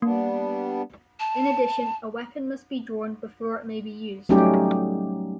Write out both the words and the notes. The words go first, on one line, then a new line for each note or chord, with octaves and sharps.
In addition, a weapon must be drawn before it may be used.
G3 A#3 B3 D4
A5
F#3 G3 A3 C#4 D#4 G4